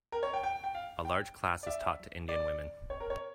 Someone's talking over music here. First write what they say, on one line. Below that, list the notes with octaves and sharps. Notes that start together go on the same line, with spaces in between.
A large class is taught to indian women.
A#4
C#5
G5
G5
G5
F5
G5
D5
E5
D5
C#5
A#4
C#5